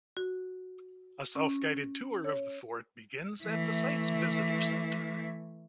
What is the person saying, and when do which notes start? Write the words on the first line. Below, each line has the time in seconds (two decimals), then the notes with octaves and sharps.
A self-guided tour of the fort begins at the site's visitor center.
0.17 F#4
1.35 C#4
2.24 C#5
3.44 E3 A3